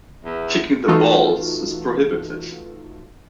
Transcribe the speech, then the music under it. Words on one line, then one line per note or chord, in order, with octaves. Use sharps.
Kicking the balls is prohibited.
E2
E3 A3 D#4 F4 F#4 A4